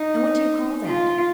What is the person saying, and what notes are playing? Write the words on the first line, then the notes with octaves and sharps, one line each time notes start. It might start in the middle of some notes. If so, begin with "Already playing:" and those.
"And what do you call that?"
Already playing: D#4
F4